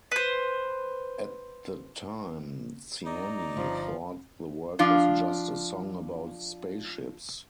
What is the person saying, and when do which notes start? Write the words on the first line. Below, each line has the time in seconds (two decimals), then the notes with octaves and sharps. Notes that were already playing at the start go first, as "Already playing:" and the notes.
At the time, Ciani thought the work was just a "song about spaceships".
0.12 B4 C5
3.05 D#4 D5 A#5
3.57 G1 F3
4.79 F3 D4 F4